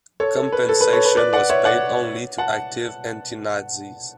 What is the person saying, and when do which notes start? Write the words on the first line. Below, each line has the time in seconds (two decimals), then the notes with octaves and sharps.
Compensation was paid only to active anti-Nazis.
0.20 A4 C#5
0.36 A4
0.52 B4
0.69 A4
0.81 B4
0.93 A4 C#5
1.05 B4
1.17 B4 D5
1.33 D5 F#5
1.49 C#5 E5
1.65 D5 F#5
2.38 F#5 A5